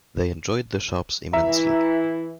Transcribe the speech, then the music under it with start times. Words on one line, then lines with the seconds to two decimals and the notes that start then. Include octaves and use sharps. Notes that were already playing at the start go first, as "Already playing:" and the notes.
They enjoyed the shops immensely.
1.33 E3 E4 E5 A#5